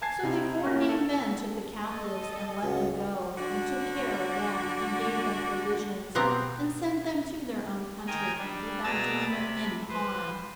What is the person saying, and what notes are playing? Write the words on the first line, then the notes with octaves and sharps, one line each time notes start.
So the forenamed men took the captives, and let them go, and took care of them, and gave them provisions, and sent them to their own country, without doing them any harm.
G#5 A5 G#6 C7
C3 D#4 E4
A#3 C#4
A4
A4 D#5
C#2 F#4 F#5
D3 F#4
B2 B3 C4 G4 A#5
D#3 G5 G#5 A#5 D#6 G#6
G3 D4
B2 G#4 D5 A#5 E6 A6
C3 B5
B4 C5